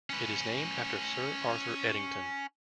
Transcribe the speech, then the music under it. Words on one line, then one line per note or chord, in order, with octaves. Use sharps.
It is named after Sir Arthur Eddington.
C#4 B4